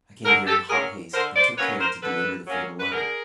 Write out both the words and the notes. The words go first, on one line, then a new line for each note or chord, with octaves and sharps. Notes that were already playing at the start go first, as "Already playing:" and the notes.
I came here in hot haste, and took care to deliver the fatal letter.
D3 G#4 A#4
G4 A4
F#3 A#3 C#4 G#4 A#4
D3 A#4 C5
C5 D5
F#3 A#3 C#4 B4 C#5
A#4 C5
D3 A4 B4
F#3 A#3 C#4
B4
D3 G#4 A#4